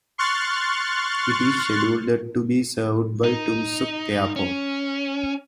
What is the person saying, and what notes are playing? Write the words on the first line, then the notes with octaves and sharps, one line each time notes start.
It is scheduled to be served by Tumxuk Airport.
C6 C#6 F6 F#6 A6
D#4
C#4